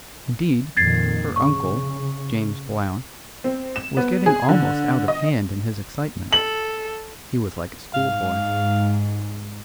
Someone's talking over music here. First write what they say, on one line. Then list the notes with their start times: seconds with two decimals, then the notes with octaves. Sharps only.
Indeed, her uncle, James Blount, was getting almost out of hand in his excitement; he was like a schoolboy.
0.77 F2 A#2 D#3 G#6 A6 C7
1.36 C#3 C#6
3.44 C4
3.76 E7
3.97 B3
4.26 G#4
4.49 D3
5.08 D#5
6.33 A4 F#7
7.94 G#2 F5